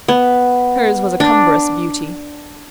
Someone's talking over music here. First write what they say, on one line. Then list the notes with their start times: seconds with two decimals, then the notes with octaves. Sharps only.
Hers was a cumbrous beauty.
0.08 B3
1.20 D4